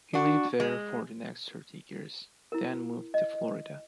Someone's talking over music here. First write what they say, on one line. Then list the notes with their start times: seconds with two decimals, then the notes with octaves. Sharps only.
He lived there for the next thirty years, then moved to Florida.
0.14 D4 F#4
0.60 G#3
2.52 E4 A#4
3.14 D#5